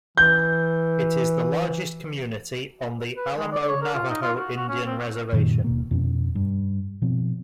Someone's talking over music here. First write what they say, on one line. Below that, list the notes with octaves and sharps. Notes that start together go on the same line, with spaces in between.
It is the largest community on the Alamo Navajo Indian Reservation.
E3 G6
B4
G#3
D5
C#5
A#4
F4
D#4
F4
F#4
F#4
C#4
C4
F#2 A#2 D#3
D#1 B2 A#3
F2 B2 C#4
G2
B2 F3 C4